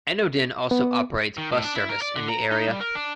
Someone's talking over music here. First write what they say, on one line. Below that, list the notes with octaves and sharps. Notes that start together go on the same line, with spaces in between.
Enoden also operates bus service in the area.
B3
D#3
A2
D4
E4
A#4
D5
D3
A#5
D#4
G3
A#4
D4